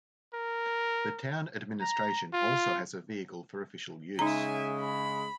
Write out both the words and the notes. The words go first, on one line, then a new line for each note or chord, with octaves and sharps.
The town administration also has a vehicle for official use.
A#4
A#5
F4
C#3 G#3 D#4 E5 G#5 A#5
B5